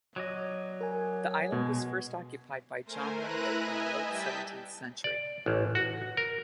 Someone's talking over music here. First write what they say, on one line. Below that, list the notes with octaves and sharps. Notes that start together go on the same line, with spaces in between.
The island was first occupied by John Langlee in the late seventeenth century.
F#3 D5 D#5
A#4 G#5
B2 G#3
A3 A#4 C5 G#5
E4 B4 A#5 F#6 A#6 D#7
D#5 E5 G#5
G3 G5 A5 G6 B6
D5
A1
F#4
A#4